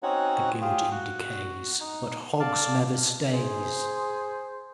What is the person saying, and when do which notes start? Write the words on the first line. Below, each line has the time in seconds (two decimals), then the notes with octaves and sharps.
"The gilding decays, But hog's leather stays!"
0.03 C4 C#4 D#4 F#4 C#5 F#5
0.62 F4 G4 G#4
0.91 F#4
1.80 D#4
2.40 D5 F5 A5
3.31 G#4 C5